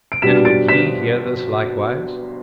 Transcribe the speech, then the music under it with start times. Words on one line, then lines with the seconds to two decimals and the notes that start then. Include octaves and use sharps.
And would ye hear this likewise?
0.12 D7
0.22 B2 G3 D4 B6 E7
0.45 A6 D7
0.68 B6 E7